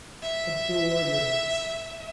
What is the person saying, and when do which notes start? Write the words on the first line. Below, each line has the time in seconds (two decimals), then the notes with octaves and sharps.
Adore your masters.
0.23 E5